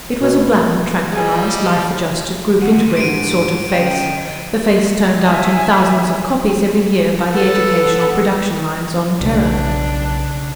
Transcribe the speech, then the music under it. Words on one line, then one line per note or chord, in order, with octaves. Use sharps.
It was a bland, tranquilized, life-adjusted, group-integrated sort of face--the face turned out in thousands of copies every year by the educational production lines on Terra.
B2
A#2 G3 G#4 B4 D#5 G#5
G#2 D3 D#3 G#3 F#5
D4 G4 D7 D#7
D3 C#4 D#5 G5
E5 G#5
B3 A4
B1 C#3 D4